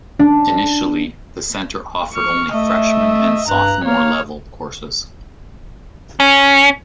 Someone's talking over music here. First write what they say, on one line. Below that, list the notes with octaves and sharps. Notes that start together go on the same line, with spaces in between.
Initially, the Center offered only freshman and sophomore-level courses.
D4
C#6 F6
A3 D#5 E5
G2 A#5 F#6
A#3 C#5 F6
C#4